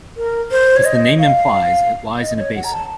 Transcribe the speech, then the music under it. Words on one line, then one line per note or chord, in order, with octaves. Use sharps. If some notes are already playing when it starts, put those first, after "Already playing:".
As the name implies, it lies in a basin.
A#4
C5
C#5
D#5
F5
D#5
C#5
F#5
A#5
A5